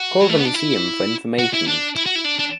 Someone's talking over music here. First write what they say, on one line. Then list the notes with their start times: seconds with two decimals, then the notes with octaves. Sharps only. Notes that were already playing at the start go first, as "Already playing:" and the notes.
Call the museum for information.
Already playing: F#4
0.21 F#3
0.29 A3
0.38 B3
0.45 D4
0.54 E4
1.39 F#4
1.53 E4
1.67 D4
1.96 E4
2.06 F#4
2.15 E4
2.25 D4
2.39 D4